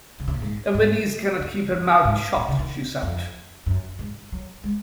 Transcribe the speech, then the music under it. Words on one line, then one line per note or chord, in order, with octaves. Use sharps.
"A Viennese cannot keep her mouth shut", she said.
C#3
C3
A#2
G#2
G#2
F2
F#2
G#2
A#2
C#3
D#3
F2
F#2
G#2
F#3
G#3